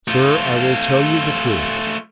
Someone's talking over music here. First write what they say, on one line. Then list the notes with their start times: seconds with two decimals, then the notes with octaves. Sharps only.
'Sir, I will tell you the truth.
0.08 A3 F4